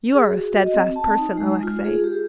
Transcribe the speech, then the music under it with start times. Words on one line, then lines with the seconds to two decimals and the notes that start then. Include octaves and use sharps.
You are a steadfast person, Alexey.
0.15 G#4
0.34 F#4
0.60 D#5
0.74 C4
0.96 A5
1.18 D#4
1.37 G#3
1.63 F4
1.85 G#4
2.04 G4